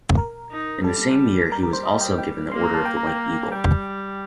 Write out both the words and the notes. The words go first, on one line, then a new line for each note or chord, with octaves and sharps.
In the same year he was also given the Order of the White Eagle.
A#4
D#4
G3 A4
G3 A#4
A#4
C5
D#5
G5
G5
A#3 C6
A#5
A5
G5
A#5
G5
G3 G5